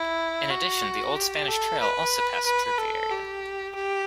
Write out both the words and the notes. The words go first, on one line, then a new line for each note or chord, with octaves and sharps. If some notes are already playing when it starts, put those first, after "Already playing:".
In addition, the Old Spanish Trail also passed through the area.
Already playing: E4
F#4
G4
A4
B4
B4
A4
G4
G4